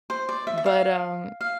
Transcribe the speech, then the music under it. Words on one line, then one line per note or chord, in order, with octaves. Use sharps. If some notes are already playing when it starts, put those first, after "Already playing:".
But, um
C5
D5
E5
E5
F5
F5